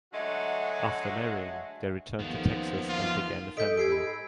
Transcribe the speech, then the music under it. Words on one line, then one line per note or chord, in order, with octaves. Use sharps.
After marrying, they returned to Texas and began a family.
D3 F#3 G#3 A3 F#4
D#2 F3 B3
F4
A4 D#5 E5 G6 B6 D7
G#2 G4 E6 G#6 C7 D7
D#5 B5